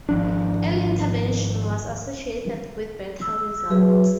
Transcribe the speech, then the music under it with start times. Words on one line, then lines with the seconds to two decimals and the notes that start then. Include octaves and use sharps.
Early intervention was associated with better results.
0.09 G#1 F3 D4
3.22 E6
3.71 F#3 G#4 B4 E5